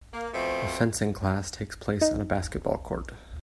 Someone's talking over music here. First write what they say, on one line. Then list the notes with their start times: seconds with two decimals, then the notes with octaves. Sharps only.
A fencing class takes place on a basketball court.
0.13 A#3
0.34 B2 F3 A3 C4
2.01 D#4